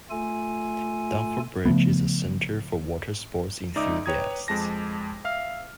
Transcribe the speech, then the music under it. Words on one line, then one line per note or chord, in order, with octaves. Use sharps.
Dunford Bridge is a centre for watersports enthusiasts.
A3 F4 A4 G#5
C#3 F3 A3 B3
C#2 D#4 D5 E5 D6 D#6
B4 C#5 G5 A#5 D#6 G#6
F2 G#3 A5 A#6
E5 F5 F6